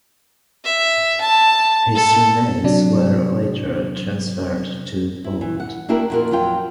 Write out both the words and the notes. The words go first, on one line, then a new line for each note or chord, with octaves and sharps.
His remains were later transferred to Poland.
E5
A5
A4
C3 F#3 D4
E4
E3
F#5
A#3 D4 E4 F#4 G4 A#4
F2 A#2 F#4 A#4
F2 F#3 F4 G5